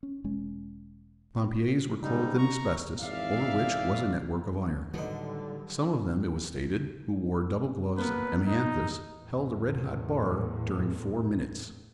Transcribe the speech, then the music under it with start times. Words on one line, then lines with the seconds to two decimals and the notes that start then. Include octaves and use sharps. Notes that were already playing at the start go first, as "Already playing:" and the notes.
The pompiers were clothed in asbestos, over which was a network of iron. Some of them, it was stated, who wore double gloves of amianthus, held a red-hot bar during four minutes.
0.03 C#4
0.24 E1 G#3 C#4
2.02 G#2 C#3 G3 D#4
2.38 A#5 C#6
3.01 G#1 E2 E3 D5 E5 F5
4.94 A2 D3 D#3 F#3 G3 B3 D#4
7.98 A#3 B3 B4
8.47 D#4
9.20 E2 A2